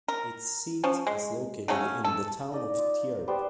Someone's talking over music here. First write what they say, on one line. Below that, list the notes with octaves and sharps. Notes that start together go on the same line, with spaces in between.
Its seat is located in the town of Tierp.
A#4
F3 C#4
G#3
C#3 F#3 A3 C#4
A4
D#4 D5 D#5
F4
B3 G4 C5 D5